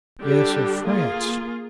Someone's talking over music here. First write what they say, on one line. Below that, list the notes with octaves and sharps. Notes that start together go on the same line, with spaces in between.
Yes, of France.
D3 G3 D4 G4
A#3 F4 G#4